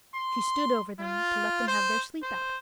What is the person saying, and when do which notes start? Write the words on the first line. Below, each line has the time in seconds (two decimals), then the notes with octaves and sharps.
She stood over them to let them have their sleep out.
0.16 C6
1.00 F4
1.68 C5
2.23 C5